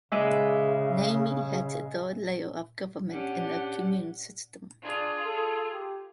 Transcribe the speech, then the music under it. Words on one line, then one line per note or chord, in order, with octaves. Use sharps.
Niamey has a third layer of government in the Commune system.
C#3 G#3 B4 D5 E5
C#4 D4 G4 F#5
D4 F4 G#4
A4
G4